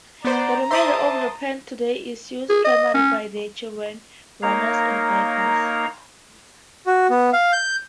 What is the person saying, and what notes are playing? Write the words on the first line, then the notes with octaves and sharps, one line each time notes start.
The remainder of the path today is used primarily by children, runners and bikers.
B3 C5 D5 A#5
C5 E5 A5 C6 D6 D#6
G#4
D#5
C#4
A#3 D#4 A#4 C#5 F5 A#5
F#4
B3
F5
G6